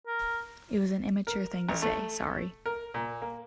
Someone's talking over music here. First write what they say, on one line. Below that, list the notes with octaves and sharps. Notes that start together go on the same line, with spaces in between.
It was an immature thing to say, sorry.
A#4
A#4
A1
A3
A#4
A#2
A#3